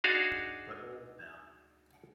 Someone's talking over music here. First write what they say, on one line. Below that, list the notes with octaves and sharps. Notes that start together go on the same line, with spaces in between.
But old now.
D4 D#4 F#4 G#4 F5